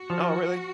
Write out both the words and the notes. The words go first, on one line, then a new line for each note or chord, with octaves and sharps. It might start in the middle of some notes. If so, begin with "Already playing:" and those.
Oh, really?
Already playing: F#4
F3